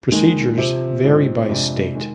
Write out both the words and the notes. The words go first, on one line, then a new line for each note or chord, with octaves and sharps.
Procedures vary by state.
D#2 D#3 G#3 D#4
C3 F3 C4
G#2 F3 C4
F2 C3 F3 G#3 D4
D#3 G#3